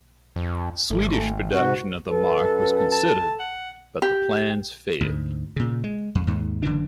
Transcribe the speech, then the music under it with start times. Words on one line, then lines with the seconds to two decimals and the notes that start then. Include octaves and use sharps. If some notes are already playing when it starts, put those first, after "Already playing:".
Swedish production of the marque was considered, but the plans failed.
0.36 F2
0.90 G#1 A3
1.52 G#2 C3 F#4
2.08 F#2 A4 B4
2.92 A5
3.40 F#5
4.02 G4
5.01 D2 G#2
5.56 A#2 C#3
5.84 G#3
6.15 F2
6.27 D#2 G#2
6.63 F#1 D3 E3 D4